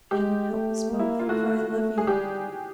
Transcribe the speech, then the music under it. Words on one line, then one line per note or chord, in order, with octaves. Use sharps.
"Heaven help us both; for I love you!"
G#3 G4
A3
A#3
E4
F4
A3 F#4
A3
G#4
G3 G4